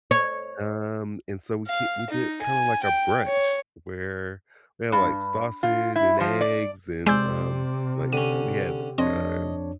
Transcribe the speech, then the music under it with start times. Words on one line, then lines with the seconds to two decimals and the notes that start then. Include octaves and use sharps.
um, and so, we k we did it kinda like a brunch, where we had, like, sausage and eggs and, um, like, we had, um,
0.11 C#5
1.67 F5
2.10 D#4
2.42 G#5
2.83 G5
3.27 C#5
4.92 G2
5.63 F4
5.96 E4
6.20 F3
6.41 D5
7.06 C3 G#3 C5 D5 D6 E6 G6
8.13 D3 C#4 G4 D#7
8.98 F2 C4 D4 C#5 D#5